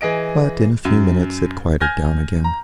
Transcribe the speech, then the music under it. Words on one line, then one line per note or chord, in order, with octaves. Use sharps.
But in a few minutes it quieted down again.
E3 G#4 D#5 D7
F#2
G#5 F6 G6 G#6 A#6
A#5